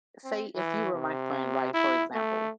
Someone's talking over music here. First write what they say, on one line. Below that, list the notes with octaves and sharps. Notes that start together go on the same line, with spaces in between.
say if you were my friend, right, for example,
C4
E3
C3
E4
A3